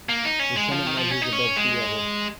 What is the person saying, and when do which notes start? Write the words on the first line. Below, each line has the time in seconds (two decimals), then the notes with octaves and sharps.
The summit measures above sea level.
0.09 A#3
0.25 D#4
0.39 C#4
0.56 G#3
0.72 F3
0.87 D#3
0.98 F3
1.10 C#4
1.22 D#4
1.33 C#4
1.57 G#3